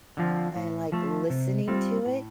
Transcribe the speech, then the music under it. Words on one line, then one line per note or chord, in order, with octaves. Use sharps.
I like listening to it-
D3 F3 C4 F4
A2
F3 A3
C3
G3 C4 F4
A2